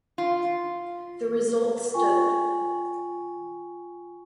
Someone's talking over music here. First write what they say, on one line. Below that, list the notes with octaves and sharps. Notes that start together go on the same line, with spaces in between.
The result stood.
F4
F4 G5 G#5 C#6